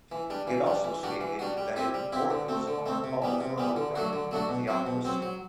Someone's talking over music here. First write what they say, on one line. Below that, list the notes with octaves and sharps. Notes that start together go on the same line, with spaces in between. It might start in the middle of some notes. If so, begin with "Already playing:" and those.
It also stated that it "borders on a call for outright theocracy".
E3
G3 D4
E3
G3 D4
E3
G3 D4 F#4
E3
G3 D4 F#4
G3
C4 E4 G4
G3
C4 E4 G4
D3
A3 C4
D3
A3 C4
C3
E3 G3 B3
C3
E3 G3 B3
D3
F#3 A3 D4 F#4
D3
F#3 A3 D4 F#4
B2
F#3 C4
B2
F#3 C4
F#3